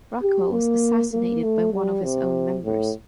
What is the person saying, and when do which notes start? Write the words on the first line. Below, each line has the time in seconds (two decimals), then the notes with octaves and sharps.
Rockwell was assassinated by one of his own members.
0.22 G4
0.52 A#3
1.13 A#3
1.43 A3
1.73 G3
2.04 C3
2.64 A2